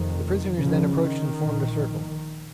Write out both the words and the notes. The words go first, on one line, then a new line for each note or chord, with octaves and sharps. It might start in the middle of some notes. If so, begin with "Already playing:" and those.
The prisoners then approached and formed a circle.
Already playing: F1 F2 C3 D#3
C#3 F3
D#3
A#1 A#2